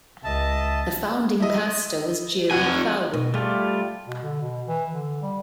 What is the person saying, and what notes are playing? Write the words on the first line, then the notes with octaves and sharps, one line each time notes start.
The founding pastor was Jerry Falwell.
C#2 D#5 E5 A5
E4 D#5
F2 F#4 G#5
B2
G3 A3 F4 G#4
B2
D3
B2
E3
D3
G3